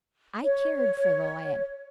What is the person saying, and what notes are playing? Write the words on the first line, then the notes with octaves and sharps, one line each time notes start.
I cared for the lad.
C#5